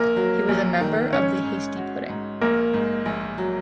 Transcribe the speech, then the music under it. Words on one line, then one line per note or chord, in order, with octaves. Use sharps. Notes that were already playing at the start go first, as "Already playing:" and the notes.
He was a member of the Hasty Pudding.
Already playing: A#1 A#3 A#4
F#3
A#1
D#3
G#2 C#4 C#5
G#2
F#4
G#2
A#1 A#3 A#4
G#2
A#1
F#3